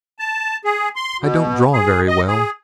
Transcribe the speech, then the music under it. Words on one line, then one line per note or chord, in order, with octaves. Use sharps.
"I don't draw very well."
A5
G#4
C6
B2
G#4
D#5
G#4